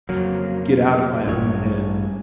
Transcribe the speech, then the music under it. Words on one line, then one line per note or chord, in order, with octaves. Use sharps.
get out of my own head,
F2 C#3 F#3 A#3
A1 G2 C#5